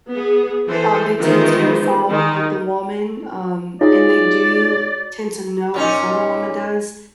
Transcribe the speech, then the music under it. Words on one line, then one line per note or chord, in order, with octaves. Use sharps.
Um, they tend to follow the woman, um, and they do tend to know before the woman does
B3 G#4
E3 A4 C5
D#3 E3 G#3 B3 F4 C5
D#3 D#4
D#4 F4 F#4 G#4 C#5 D5
A#2 C#4 D#4